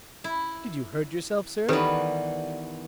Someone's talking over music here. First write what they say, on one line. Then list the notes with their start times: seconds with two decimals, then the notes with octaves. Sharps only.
"Did you hurt yourself, sir?"
0.24 E4
1.69 D#3 E3 G3 B3 G4 A4 B4